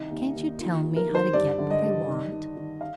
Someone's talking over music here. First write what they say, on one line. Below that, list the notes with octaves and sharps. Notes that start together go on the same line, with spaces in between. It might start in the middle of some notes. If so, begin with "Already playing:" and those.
"Can't you tell me how to get what I want?"
Already playing: C2 D#3 D#4
D#2
D#2
D#3 F4
D#3
A#4
D#3
C5
G2 D5
D3
D#5
G2
D#3
D#3
D#3
F5